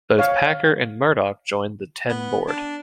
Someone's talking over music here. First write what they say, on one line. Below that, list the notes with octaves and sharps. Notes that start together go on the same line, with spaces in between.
Both Packer and Murdoch joined the Ten board.
C#5 F5
B3
D4